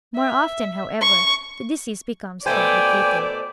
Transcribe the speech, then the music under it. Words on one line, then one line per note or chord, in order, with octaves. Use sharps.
More often, however, the disease becomes complicated.
E5
C#6
B2 A3 C5 D5 G5 G#5